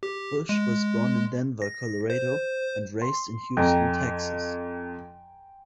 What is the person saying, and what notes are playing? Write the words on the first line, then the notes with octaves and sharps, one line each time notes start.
Bush was born in Denver, Colorado, and raised in Houston, Texas.
G4
G#3
A#6
C5
C6
F2 G5 G#5 A#5